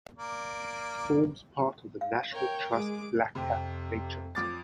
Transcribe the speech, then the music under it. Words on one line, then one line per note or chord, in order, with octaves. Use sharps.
It forms part of the National Trust Blackcap nature reserve.
A#3 D5
F5
A#4 C#5 G5
G#3 G#4 D6
F2 C3 G4
F2 D6 A6